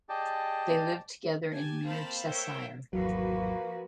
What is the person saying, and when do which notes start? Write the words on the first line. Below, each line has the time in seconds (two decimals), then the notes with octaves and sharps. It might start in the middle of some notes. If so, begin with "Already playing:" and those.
They live together in Mere, Cheshire.
0.09 G4 G#4 D5 D#5 G5 A5
1.52 G4 G#5 A5
1.85 A#3 C4 C5 F5 A5 B5
2.25 A#4 C5 C#5 E5 G5
2.93 G#1 E2 F3 F#3 A#3 F#4 B4